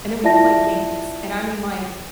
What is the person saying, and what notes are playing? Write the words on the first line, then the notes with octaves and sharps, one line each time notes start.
and then we'd play games, and I mean, like,
E4 F4 D5 E5 A5 A#6